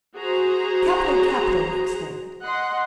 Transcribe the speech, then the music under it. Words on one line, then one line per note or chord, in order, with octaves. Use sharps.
"Capital! capital!" he exclaimed.
F#4 G#4 C5 A#5
D#5 F#5 C6